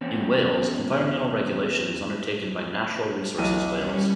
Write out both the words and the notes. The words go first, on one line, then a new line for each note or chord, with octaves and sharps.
In Wales environmental regulation is undertaken by Natural Resources Wales.
E2 C4 C#4
B1 E3 D#7
G3 C#4